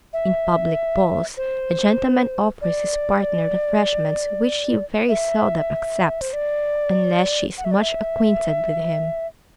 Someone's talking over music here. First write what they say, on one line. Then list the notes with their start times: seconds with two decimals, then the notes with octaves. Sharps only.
In public balls, a gentleman offers his partner refreshments, which she very seldom accepts, unless she is much acquainted with him.
0.13 E5
1.37 C5
2.61 D5
5.09 E5
6.21 C5
6.33 D5
7.58 F#5
7.65 E5
7.71 D5
7.80 E5